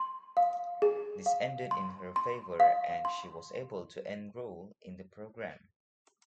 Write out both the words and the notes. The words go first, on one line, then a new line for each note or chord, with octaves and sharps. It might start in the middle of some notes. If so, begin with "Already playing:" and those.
This ended in her favor and she was able to enroll in the program.
Already playing: C6
F5
G#4
F5
C6
C6
F5
C6